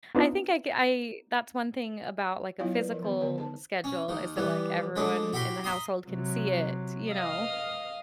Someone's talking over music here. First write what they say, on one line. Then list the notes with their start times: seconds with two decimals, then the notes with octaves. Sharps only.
I think I c I, that's one thing about, like, a physical schedule, is that, like, everyone in the household can see it, you know?
0.15 B3 C4 D4 D#4 F4
2.60 F#3 B3 E4 F4 C#5 F5
2.74 B4 D5
2.89 F3 A#4 D#5
3.03 D#3 B3
3.21 D3 B3 D5
3.38 D#4 C5 A5
3.84 C#4
4.09 D#2 D#3
4.36 E3 G3 B3
4.96 F3 G#3 A3 D4
5.33 E4 F#4 G4 B5 C6
5.64 E5 A#5 C6 D#6
6.07 C3 F#3
7.09 D#5 F5 D#6 F6